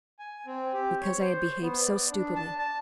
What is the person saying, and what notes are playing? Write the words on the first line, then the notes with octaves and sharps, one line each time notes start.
"Because I had behaved so stupidly."
G#5
C4
G4
C#5
C5
B3
D5
D4
A5
A5